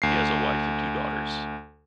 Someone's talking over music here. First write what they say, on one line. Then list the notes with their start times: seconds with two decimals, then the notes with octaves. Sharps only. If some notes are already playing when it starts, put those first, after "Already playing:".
He has a wife and two daughters.
0.02 D2 C7